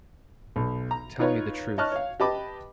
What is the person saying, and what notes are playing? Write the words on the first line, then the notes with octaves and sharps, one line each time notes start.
Tell me the truth.
B1
A#5
D#4 F4 B4 C#5
C#5 D#5 A5 C#6 F6 F#6
C#5 F5
G4 B4 D#5 A5 B5 D6